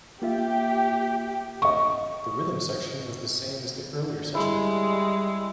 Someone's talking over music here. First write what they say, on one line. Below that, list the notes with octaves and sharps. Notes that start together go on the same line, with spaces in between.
The rhythm section was the same as the earlier session.
A#3 F4 G4 E5
D#5 C#6
D3
G3 G#3 E4